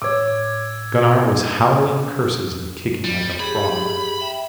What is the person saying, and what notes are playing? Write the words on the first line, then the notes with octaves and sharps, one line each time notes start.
Gunnar was howling curses and kicking like a frog.
A2 C#5 D6 E6 G#6
G3
G4 G#4 B5
E5 G5